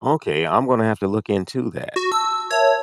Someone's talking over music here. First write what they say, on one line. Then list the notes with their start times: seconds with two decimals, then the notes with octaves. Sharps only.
Okay, I'm gonna have to look into that.
1.96 F#4
2.12 A5 E6
2.50 A#4 C#5 E5 A5